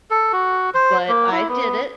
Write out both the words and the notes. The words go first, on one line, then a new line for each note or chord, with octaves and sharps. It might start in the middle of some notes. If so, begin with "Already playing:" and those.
but I did it.
A4
F#4
C5
A#3
E4
B3